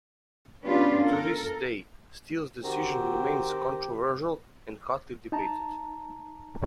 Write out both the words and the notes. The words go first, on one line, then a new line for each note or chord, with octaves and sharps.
To this day, Steele's decision remains controversial and hotly debated.
B3 C#4 D4 F4 G4 B4
A4 A#4
D#3 C4 F#4 G4
D#4 A5 A#5